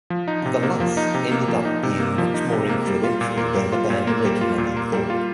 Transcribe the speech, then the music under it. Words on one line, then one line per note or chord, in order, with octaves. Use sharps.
"The Lust..." ended up being much more influential than the band originally thought.
F3
D#4
C3
A#3
F3
D#4
C3
A#3
F3
D#4
C3
A#3
F3
D#4
C3
A#3
G3
F4
A#2
A#3
G3
F4
A#2
A#3
G3
F4
A#2
A#3
G3
F4